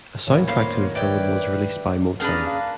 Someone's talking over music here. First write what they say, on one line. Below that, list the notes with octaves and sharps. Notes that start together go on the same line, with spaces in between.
A soundtrack to the film was released by Motown.
D#1 A2 A#4 B4 C#5
A#3 C5 D#5 F5 B5
B4 D5 E5 G5 G6 G#6
A#3 C#4 D4 G#4 B4 D#6 F6
F5